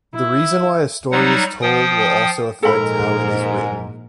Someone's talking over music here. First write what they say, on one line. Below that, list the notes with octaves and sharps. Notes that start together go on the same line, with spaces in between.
The reason why a story is told will also affect how it is written.
E4
F#3 G3 D#4 F#5
F3 G5 D#6
A#1 G#2 A4 A#4 B5